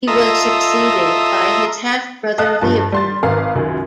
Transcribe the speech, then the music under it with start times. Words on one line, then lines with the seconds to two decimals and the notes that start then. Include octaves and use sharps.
He was succeeded by his half brother, Leopold.
0.07 F4 A4 D#5 E5 A#5 D#6
2.38 D#5 F5 A5 F#6
2.61 G2 F3 A5
2.92 G3 C6 A6
3.23 G#1 D#3 B4 F5 A#5
3.55 C#2 F#2 D#3